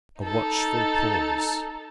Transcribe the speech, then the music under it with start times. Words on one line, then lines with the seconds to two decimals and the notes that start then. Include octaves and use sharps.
A watchful pause.
0.21 D#4 A4